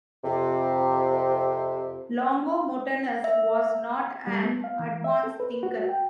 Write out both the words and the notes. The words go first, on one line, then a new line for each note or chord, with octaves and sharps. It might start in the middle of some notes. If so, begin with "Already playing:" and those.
Longomontanus was not an advanced thinker.
F2 C3
E5
G3
B3
F5
E3
E5
A4
B4
F#4
G5